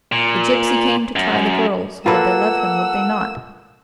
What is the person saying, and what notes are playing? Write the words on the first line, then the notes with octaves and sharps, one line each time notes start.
The gypsy came to try the girls: Would they love him, would they not?
A#2
F#2
A#3 F4 A4 B4 F#5 A#5 E6